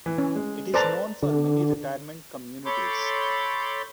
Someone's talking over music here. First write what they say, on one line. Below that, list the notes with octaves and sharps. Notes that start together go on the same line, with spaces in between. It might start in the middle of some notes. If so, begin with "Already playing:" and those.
It is known for many retirement communities.
E3
C#4
G#3
A4 B4 C5 D5 A5 A#5
D3
A4 C#5 B5 C6 D6 G6